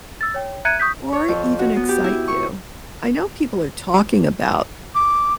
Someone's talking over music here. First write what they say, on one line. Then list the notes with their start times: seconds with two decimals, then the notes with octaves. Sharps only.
or even excite you? I know people are talking about
0.21 E6 A6
0.34 C#5 G5
0.65 E5 A#5 F#6 G#6 C#7 D#7
0.80 C#6 D#6 G6 B6
1.13 C#5
1.28 F2
1.59 F#4
1.76 B3
1.89 G4
2.04 E4
2.28 C#6
4.95 D6